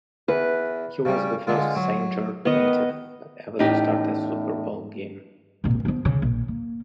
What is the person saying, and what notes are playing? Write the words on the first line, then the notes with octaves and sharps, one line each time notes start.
He was the first Saint George native ever to start a Super Bowl game.
E2 B4
C#3 G3
D3 G#3 F4
F#3
D#3 B3 D#5
E2 A2 C#4 D#4 G4
G#1 A#2
F3 B3
C#3
A#1
A#3